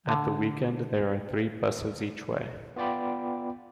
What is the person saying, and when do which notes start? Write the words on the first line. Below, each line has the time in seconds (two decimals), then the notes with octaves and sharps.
At the weekend there are three buses each way.
0.07 D3
2.76 B3 F4 D5 G5 B5